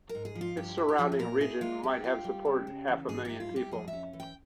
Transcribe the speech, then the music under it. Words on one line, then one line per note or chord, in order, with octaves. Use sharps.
Its surrounding region might have supported half a million people.
A#4
G#2
G#4
F3
F4
G2 G4
E4
G4
F3
G#4
A#2 A#4
E4 G#4
G#3 F4
G2 G4
F4
G3
C#3
C#3
E3
G#2 G#4
E4 G4
F4
G3
G4
F2 G#4
E5
C#4
E3
G5